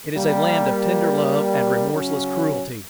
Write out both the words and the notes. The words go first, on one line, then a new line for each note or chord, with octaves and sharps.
It is a land of tender love and remorseless cruelty.
G3 A#3
C#3 F#3 C#4